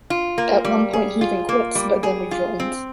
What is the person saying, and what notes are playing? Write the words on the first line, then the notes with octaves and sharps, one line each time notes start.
At one point he even quits, but then rejoins.
F4
A#3
G3
G#4
F4
A#3
G3
G#4
F4
C4